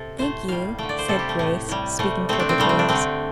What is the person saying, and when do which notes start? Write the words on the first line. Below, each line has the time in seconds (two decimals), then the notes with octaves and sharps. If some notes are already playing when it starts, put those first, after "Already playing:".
"Thank you," said Grace, speaking for the girls.
Already playing: C3 A4
0.18 A2 A3 C5
0.48 A2 G3 F5
0.79 D3 A3 G5
0.89 D5
0.99 C5
1.08 C3 G3 A4
1.19 G4
1.29 A3
1.39 A2 A3
1.69 A2 G3
1.99 C3 G3 A3
2.29 C3 A3 C4
2.39 D4
2.49 C4
2.58 C3 G3 A3
2.69 C4
2.79 D4
2.89 D3 A3 C4